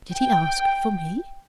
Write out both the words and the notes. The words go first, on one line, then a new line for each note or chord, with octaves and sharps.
'Did he ask for me?
G5